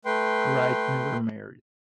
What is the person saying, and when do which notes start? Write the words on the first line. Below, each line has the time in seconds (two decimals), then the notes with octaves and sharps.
Wright never married.
0.05 A3 B4 G5 C6